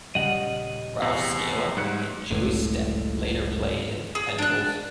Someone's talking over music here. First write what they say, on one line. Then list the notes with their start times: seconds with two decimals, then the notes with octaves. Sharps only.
Ralph Scala and Joey Stec later played in The Dependables.
0.15 D#1 C#3 G3 D#5 F#5
1.02 E2 C3
1.77 G#2 G3 F#6 C#7
2.30 F#1 C#2 A2
4.15 G#4
4.38 D4 F#6